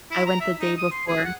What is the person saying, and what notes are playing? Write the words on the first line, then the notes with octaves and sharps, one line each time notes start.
I went the day before.
E4
A#5
E5
D#4
D#6
C6
G#4
F#5